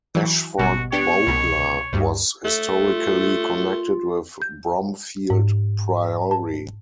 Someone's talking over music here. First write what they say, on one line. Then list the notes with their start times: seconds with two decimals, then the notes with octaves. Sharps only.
Ashford Bowdler was historically connected with Bromfield Priory.
0.15 E3 F#3
0.59 G#1 B2 G3 F#4
0.92 B3 D4 G4 C#5
1.27 C2 B2 B5
1.93 D2 G2 G3
2.45 A3
2.87 F4
4.42 G6
5.30 G#2
6.31 A5